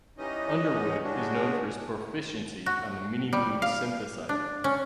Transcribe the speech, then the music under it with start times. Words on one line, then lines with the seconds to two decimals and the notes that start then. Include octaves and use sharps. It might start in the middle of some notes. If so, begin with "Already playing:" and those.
Underwood is known for his proficiency on the Minimoog synthesizer.
0.18 E3 G3 C#4 D#4 D#5
1.03 C#3 G3 G#3 C#4 D4 F#4
2.66 F#4
3.33 G3
3.62 F5
4.29 D4
4.64 C#4